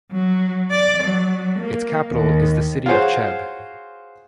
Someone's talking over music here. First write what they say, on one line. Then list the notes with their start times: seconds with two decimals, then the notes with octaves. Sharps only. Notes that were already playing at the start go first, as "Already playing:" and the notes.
Its capital is the city of Cheb.
0.11 F#3
0.70 D5
1.04 F#3
1.59 A#3
2.12 D#2
2.86 F4 F#4 G#4 C5 C#5